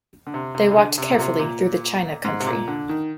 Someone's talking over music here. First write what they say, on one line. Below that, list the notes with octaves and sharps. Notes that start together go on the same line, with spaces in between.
They walked carefully through the china country.
D3
C3
C3
C3
D3
C3
A#2
C3
A#2
G#2
C3
A#2
D3
D#3